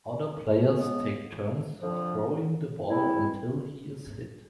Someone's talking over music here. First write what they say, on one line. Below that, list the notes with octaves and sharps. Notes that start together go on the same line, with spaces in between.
Other players take turns throwing the ball until he is hit.
C#3 F3 G#3 B3
F2 D3 F3
B2 G#3 C4 E4